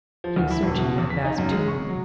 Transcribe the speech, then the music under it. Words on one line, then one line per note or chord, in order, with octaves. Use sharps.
He was searching that vast tomb.
F3
D2
E4
E1
B2
E2
B6
D#4
F#2
G#3
C#6
F#3